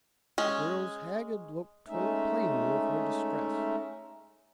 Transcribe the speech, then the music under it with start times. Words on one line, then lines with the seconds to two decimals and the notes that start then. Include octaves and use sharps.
The girl's haggard look told plainly of her distress.
0.38 G#3 C#4
1.88 G#3 A3 C#4 D#4 E5